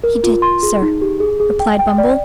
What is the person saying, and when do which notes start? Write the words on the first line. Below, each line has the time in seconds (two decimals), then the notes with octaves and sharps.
'He did, sir,' replied Bumble.
0.03 A#4
0.24 F4
0.42 C6
0.63 G#4
0.82 D#4
1.02 G4
1.20 G#4
1.40 G#4
1.60 G5
1.79 G5
1.98 D5